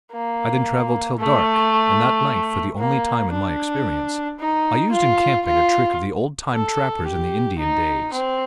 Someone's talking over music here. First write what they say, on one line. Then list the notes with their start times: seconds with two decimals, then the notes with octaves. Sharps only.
I then traveled till dark, and that night, for the only time in my experience, I used in camping a trick of the old-time trappers in the Indian days.
0.12 A#3
1.18 A3
2.78 A#3
3.32 D4
4.39 D#4
4.92 F4
5.46 F4
6.53 A4
7.06 G4
7.59 D#4
8.12 C4